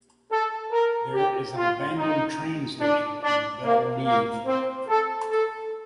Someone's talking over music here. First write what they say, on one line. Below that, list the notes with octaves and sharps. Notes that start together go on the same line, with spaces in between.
There is an abandoned train station in Belle Mead.
A4
A#4
G4
F4
D#4
D4
D4
A#3
A#3
C4
A4
A4